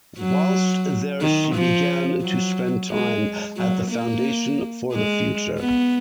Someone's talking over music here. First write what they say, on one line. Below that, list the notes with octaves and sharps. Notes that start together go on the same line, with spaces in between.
Whilst there she began to spend time at the Foundation for the Future.
F#3
D#3
F3
F#3
G#3
F#3
A#3
G#3
B3